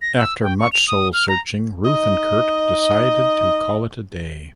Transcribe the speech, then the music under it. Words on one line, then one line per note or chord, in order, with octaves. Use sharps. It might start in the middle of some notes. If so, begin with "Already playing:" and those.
After much soul- searching, Ruth and Kurt decided to call it a day.
A#6
E6
G5
C#6
F7
D#6
F6
A#5
D#4 D#5